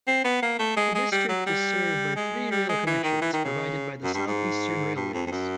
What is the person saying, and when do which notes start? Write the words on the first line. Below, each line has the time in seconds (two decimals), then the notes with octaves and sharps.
The District is served by three Rail connections provided by the South Eastern Railways.
0.07 C4
0.24 B3
0.42 A#3
0.59 A3
0.76 G#3
0.95 G#3
1.12 G3
1.29 F#3
1.46 G3
2.16 G#3
2.51 G3
2.69 G#3
2.87 E3
3.03 D#3
3.22 E3
3.33 D#3
3.45 C#3
4.03 F#2
4.14 G2
4.27 G#2
4.95 G2
5.13 F2
5.26 F2
5.31 F#2